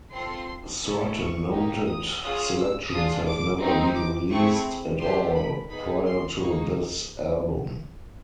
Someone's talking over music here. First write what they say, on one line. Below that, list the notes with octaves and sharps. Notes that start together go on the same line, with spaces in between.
Certain noted selections have never been released at all prior to this album.
C4 F4 A4 C6
C#4 E4 A4
C#6
A#3 D#4 G4
D#6
C#4 F4 G#4 D#6
E6
D4 F4 G#4 D#6
D6
C4 D#4 G4
D6
A3 C4 E4 G#4 C#6
A3 D4 G4 C6
B5
B3 D#4 G#4 B5
C6
A#3 D#4 G#4 C#6